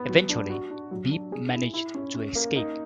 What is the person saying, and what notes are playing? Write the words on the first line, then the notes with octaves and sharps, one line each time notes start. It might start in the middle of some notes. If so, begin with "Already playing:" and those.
Eventually, Beep managed to escape.
Already playing: B3
F#3
D4
F#4
D4
F#3
D4
G#4
E4
E4
C#4
C#4
A#3
D#4